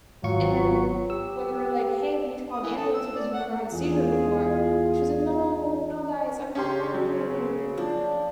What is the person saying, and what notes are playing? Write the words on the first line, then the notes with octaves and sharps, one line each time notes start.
and then when we were like, "Hey, we need to call an ambulance because you've never had a seizure before." She was like, "No, no, guys, I'm fine,
G#1 F#3 F4 C#6
G4 E6
D#6
E3
A4
E6
D5
F#5
E2 F4 G#4
C#3 C#4 G4 C6
F#3
F3 D4